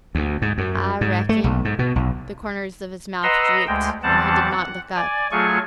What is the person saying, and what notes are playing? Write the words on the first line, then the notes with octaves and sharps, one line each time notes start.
"I reckon." The corners of his mouth drooped, and he did not look up.
D2
G#2
F#2
G#2
A3
B1
G#2
B2
B1
B4 D#5 F#5 A#5 C6 E6
D2 G#3 G5
E2 E3 G3 C4 F#5 A5
F#5
D5 G#5
F#3 A3 F4 G#4 G#5 C#6